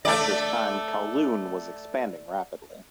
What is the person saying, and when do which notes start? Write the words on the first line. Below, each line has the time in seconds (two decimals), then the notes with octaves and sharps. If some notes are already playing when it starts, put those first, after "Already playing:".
At this time Kowloon was expanding rapidly.
0.05 A3 D5